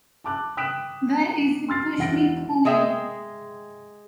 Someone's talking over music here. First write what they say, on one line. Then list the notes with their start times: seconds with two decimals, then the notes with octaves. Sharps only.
That is the pushmi-pullyu.
0.24 A5 D6 F#6
0.57 G5 D#6 F#6 B6 D7 E7
1.68 C6 F6 A6 C7
1.98 E1 E4 F#5 A#6 D7
2.65 G#3 G#4 E5 G5